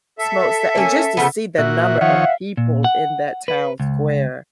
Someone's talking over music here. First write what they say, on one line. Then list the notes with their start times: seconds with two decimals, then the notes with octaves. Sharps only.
smo that and just to see the number of people in that town square.
0.18 A4 E5
0.75 A#3 C#4
1.17 C#3 F3 B3
1.58 A#2 F#4 E5
2.01 D#3 F3 C#5 F5 F#5
2.57 A#2
2.84 F#5
3.48 B4
3.80 C#2